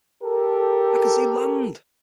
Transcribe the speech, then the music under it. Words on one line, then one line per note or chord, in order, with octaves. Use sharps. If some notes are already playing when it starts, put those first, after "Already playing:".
I can see land!
G4 A4 A#4